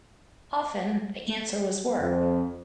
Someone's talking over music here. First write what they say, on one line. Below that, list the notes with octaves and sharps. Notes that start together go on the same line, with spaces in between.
Often the answer was work.
F2